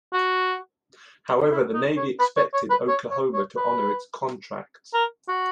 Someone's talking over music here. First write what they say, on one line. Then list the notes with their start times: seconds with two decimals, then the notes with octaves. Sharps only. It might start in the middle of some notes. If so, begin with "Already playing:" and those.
However, the Navy expected Oklahoma to honor its contract.
0.14 F#4
1.51 E4
1.74 D#4
1.97 C#5
2.20 B4
2.37 C#5
2.54 C#5
2.70 B4
2.88 C#5
3.11 C#5
3.34 C#5
3.57 B4
4.94 A#4
5.29 F#4